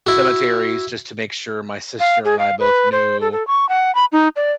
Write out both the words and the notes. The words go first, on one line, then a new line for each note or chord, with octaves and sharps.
cemeteries, just to make sure my sister and I both knew,
E4 F#4
F5
G#4
F5
B4
C5
A4
A4
C#6
F#5
B5
D#4
D5